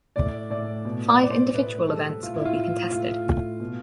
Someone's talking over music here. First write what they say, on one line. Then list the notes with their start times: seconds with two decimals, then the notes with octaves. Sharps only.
Five individual events will be contested.
0.16 A2 D5
0.50 A2 D5
0.85 B2
1.09 D5
1.20 B2 D5
1.31 C5
1.54 A2 B4
1.88 G3 A4
2.22 A2 F4
2.34 E4
2.45 F4
2.57 A2
2.91 A2 F4
3.26 A2
3.60 B2